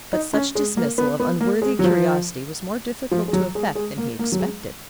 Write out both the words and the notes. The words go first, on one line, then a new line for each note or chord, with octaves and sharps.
But such dismissal of unworthy curiosity was more difficult to effect than he expected.
D#4
C#4
G#3
A#3
B3
B3
A#3
G#3
F#3
F3
F3
G#3
F#3
G#3
G#3
A#3
A#3
F#3
G#3